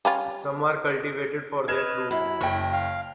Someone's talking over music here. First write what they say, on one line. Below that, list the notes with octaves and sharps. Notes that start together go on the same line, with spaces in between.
Some are cultivated for their fruit.
G3 C#4 F4
B4 D#5 F6 G#6 E7
F#2 E4 B5
F#1 C#5 G5
F5